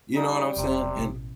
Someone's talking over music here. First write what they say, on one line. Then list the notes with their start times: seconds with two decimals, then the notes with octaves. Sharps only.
You know what I'm saying? And
0.15 G3 D#4
0.57 E1 C3
0.98 A1 B2